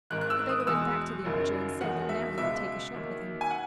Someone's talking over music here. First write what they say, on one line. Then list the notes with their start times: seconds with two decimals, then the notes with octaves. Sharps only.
The beggar went back to the archer and said that now he would take a shot with him.
0.10 G#1 G#2 D#3 F#6
0.21 F#6
0.30 E6
0.49 D#6
0.60 D#6
0.67 E2 B2 G#3 E6
1.24 F#1 F#2 D#3 F#3
1.80 E1 E2 D#3 F#3 F#5
2.09 E5
2.37 C#2 B2 G#3 E5
2.94 D#2 D#3 F#3
3.41 G#5
3.51 F#5